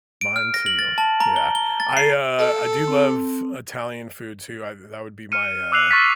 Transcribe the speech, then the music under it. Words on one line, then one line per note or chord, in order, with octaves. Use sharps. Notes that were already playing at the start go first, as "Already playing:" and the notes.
Mine too. Yeah. I, uh, I do love Italian food too. I've that would be my uh,
D7
F6
A#6
F#7
A6
A5
A#5
G7
G7
A6
C7
A4
C4
F6 C#7 D#7
D6 E6 F#6 C7 F7
C#6 A6 B6